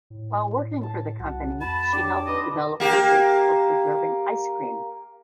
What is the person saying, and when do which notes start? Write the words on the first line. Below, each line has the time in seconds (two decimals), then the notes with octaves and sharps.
While working for the company she helped develop methods for preserving ice cream.
0.10 A2
0.83 A5
1.19 C2 F#4
1.61 F2 A5 B5
1.93 D4 G4 C#5 D6
2.26 D#4 B4 D#5 C6
2.80 A#3 G4